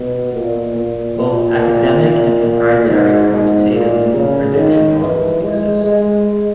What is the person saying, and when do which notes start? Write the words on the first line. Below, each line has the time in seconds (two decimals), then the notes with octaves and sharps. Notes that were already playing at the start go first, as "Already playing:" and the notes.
Both academic and proprietary quantitative legal prediction models exist.
Already playing: B2
0.33 A#2
0.76 A#2
1.18 A#2
1.60 A#2
2.03 A#2
2.45 A#2
2.87 G#2
3.30 G#2
3.72 A#2
4.14 C#3
4.57 D#3
4.99 E3
5.42 G#3
5.84 G#3